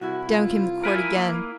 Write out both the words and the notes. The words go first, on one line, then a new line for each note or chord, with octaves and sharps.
Down came the quirt again.
C2 E4 F#4
F4
E4 A#4 B4 G#5
A#3